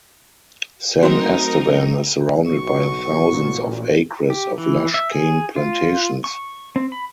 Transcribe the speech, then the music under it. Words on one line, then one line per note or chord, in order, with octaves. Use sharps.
San Estevan is surrounded by thousands of acres of lush cane plantations.
F#3 A3 C4 D#4 F#4 A#4 C6
B1 F#4 C#6
A1 A#2
G4
E3
E5
G#4
F4
C#6
C4
B5